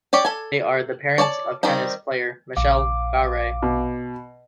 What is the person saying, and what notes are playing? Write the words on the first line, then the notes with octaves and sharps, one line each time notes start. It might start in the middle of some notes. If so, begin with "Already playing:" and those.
They are the parents of tennis player Michelle Bowrey.
G4 C#5 D5
A4 G#5
C#5 D5 G5 A5
D#3 G3 C4 D#4
A#1 F5 D6
B2